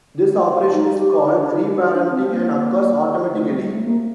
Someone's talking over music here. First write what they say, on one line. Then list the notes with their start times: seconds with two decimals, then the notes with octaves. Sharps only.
This operation is called "re-parenting" and occurs automatically.
0.72 D#4
0.98 G4
1.24 D#4
1.36 D4
1.49 D#4
1.63 G4
1.76 F#4
1.93 D4
2.10 C4
2.28 A#3
3.32 A3
3.49 G3
3.66 A3
3.84 A#3